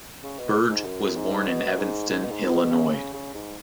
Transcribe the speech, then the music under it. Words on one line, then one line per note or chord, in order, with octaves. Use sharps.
Burge was born in Evanston, Illinois.
C#3
B2
G#2
F#2
G#2
B2
G#2
G#2
B2
G#2
B2
C#3
C#3
C#3
G#2